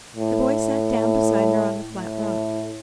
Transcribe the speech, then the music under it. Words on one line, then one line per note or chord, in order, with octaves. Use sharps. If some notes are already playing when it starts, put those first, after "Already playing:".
The boy sat down beside her on the flat rock.
A2
A2